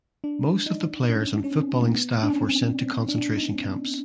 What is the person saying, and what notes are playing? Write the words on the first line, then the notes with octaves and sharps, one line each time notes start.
Most of the players and footballing staff were sent to concentration camps.
D4
D#4
C#4
C#4
C4
A3
A#3
B3
D4
C#4
C4
C4
D4
D#4